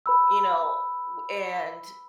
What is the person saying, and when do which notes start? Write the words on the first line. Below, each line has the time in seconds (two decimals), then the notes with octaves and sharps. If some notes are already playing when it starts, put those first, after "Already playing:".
you know, w and,
0.06 B4 B5 E6